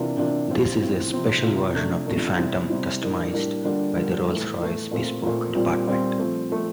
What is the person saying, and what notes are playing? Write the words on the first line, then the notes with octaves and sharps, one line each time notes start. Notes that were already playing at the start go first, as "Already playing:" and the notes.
This is a special version of the Phantom customized by the Rolls-Royce Bespoke department.
Already playing: C3 E3 A#3 D4 F4
C3 E3 A#3 D4 F4
A2 F3 C4 F4
A2 F3 C4 F4
C3 F3 C4 F4
C3 F3 C4 F4
C3 F3 A3 D4
C3 F3 A3 D4
C3 G3 C4 E4
C3 G3 C4 E4
A2 G3 A#3 D4
A2 G3 A#3 D4
D3 G3 A#3 D4 F4
D3 G3 A#3 D4 F4
A2 E3 A3
A2 E3 A3
A#2 A3 C4 F4
A#2 A3 C4 F4
A#2 G3 C4 F4
A#2 G3 C4 F4
F3 A3 C4
F3 A3 C4